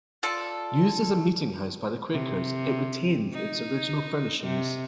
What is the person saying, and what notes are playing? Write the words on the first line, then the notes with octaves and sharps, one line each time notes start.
Used as a meeting house by the Quakers, it retains its original furnishings.
F4 A4 D5
C3
D#4
C3